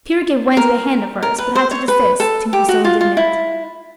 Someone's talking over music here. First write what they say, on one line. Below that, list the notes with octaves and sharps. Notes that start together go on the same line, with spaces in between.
Peter gave Wendy a hand at first, but had to desist, Tink was so indignant.
A#4
A#4
B4
C5
C#5
B4
A4
G4
F#4
F4
F4
E4